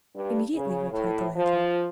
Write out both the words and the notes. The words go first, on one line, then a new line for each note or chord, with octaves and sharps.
"Immediately," replied the landlord.
G2
C#3
A2
F3